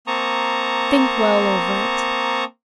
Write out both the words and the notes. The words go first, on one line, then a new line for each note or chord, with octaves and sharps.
Think well over it.
A#3 C4 A5 A#5 C#6 D#6